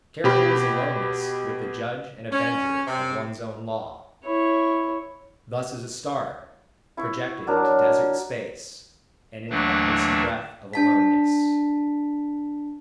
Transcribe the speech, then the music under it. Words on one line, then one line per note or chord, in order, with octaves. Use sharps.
Terrible is aloneness with the judge and avenger of one's own law. Thus is a star projected into desert space, and into the icy breath of aloneness.
B2 G4 B5
C#4
C3
E4 C#5
E4 C#6
F#3 D4 A#4
D#2 D3 E3 F#3 A3 D4
D4 A5 B6